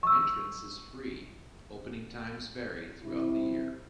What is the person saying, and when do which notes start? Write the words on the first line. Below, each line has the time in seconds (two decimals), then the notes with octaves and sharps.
Entrance is free, opening times vary throughout the year.
0.03 C#6 E6
3.02 C3 E4